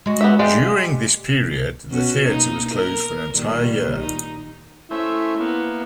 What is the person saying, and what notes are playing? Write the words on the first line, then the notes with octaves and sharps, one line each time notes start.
During this period, the theatre was closed for an entire year.
G#3 F#4
B3 G4 E5
G#3 G4 D5 F5 G5
B2 C#4 F#4
A#3 D#4
A#4
A#2 D#3 G3
D#4
A3 C#4 E4 C5 E5
A#3 B3